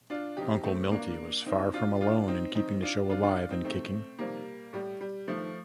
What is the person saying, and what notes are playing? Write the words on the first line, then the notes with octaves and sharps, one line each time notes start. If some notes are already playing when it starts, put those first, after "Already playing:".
Uncle Miltie was far from alone in keeping the show alive and kicking.
D4 F4
F2 C3 D#3 D#4 G4
A3 C4
G2 D3 A#3 D4
G2 D#3 C4 D#4
D4 F4
A2 D4 F4
C4 D#4
F2 D#3 C4 D#4
D4 F4
F2 D3 D4 F4
D4 F4
D4 F4
C4 D#4
F2 C3 D#3 A3 C4
F2 C3 D#3 G3 A#3
A2 G3
G3
G2 D#3 F3 A3